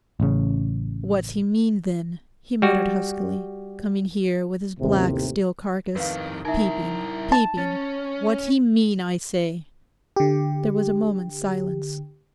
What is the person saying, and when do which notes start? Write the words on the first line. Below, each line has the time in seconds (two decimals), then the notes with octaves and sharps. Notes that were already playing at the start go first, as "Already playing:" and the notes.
'What's he mean, then,' he muttered huskily, 'coming here with his black, still carcase--peeping, peeping--what's he mean, I say?' There was a moment's silence.
0.20 A1 C#3
2.62 G3 F#4
4.79 A1 D#2 C3
5.96 F2 D#3 B4 F5
6.45 D#4 E4 A#4 E5
7.32 A5
7.58 C#4 A6
10.16 D3 G4